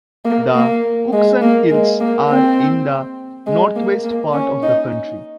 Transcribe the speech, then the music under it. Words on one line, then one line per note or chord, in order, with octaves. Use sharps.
The Cookson Hills are in the northwest part of the county.
A#3
A#3
G#3
A#3
G#3
A#3
C4
G#3
A#3
A#3
C#4
D#4